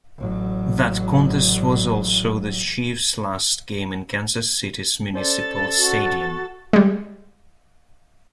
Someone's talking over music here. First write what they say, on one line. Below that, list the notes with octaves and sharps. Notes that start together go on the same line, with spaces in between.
That contest was also the Chiefs' last game in Kansas City's Municipal Stadium.
A1 F#3
C#4 A4 C5 D5 A6
F#4
G3 G#3